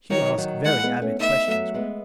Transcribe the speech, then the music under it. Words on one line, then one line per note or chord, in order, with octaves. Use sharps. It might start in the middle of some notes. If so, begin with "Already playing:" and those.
"You ask very avid questions, Gregg!"
D#3 F#3 C#5
D#3 F#3
E3 G#3 F#5
G#3 B3
A3 C#4
B3 D#4 E5
F#3 A3
G#3 B3